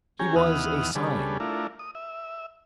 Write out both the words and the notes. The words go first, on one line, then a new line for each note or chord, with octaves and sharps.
He was a Sign.
C#4 G4 G#4 G#5 A#5
D#2 E3 B3 F#5 D#6 F6
C#3 G3 D4 G#4 A4 B4
A3 D4 E4 F4 A#4
D#6
E5